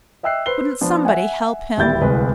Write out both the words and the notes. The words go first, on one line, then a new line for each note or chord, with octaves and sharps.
Wouldn't somebody help him?'
D#5 E5 G5 E6 F#6 C7
B4 C5 C7 G7
F3 B3 D4
E5 F#5 G#5
D1 D#2 G3 E4 G6 A6
D1 C2 G#3 B4